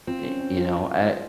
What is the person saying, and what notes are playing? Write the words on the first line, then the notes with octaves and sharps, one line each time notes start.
y you know, I
C4 F4
C#4
C#4
F4